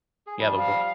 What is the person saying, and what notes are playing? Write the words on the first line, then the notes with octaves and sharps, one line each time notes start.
Yeah, the worl
G#4
F3 G3
F5